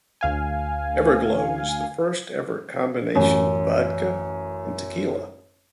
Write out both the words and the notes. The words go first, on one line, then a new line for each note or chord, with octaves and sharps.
Everglo is the first ever combination of vodka and tequila.
D2 F5 G#5
A1 F#2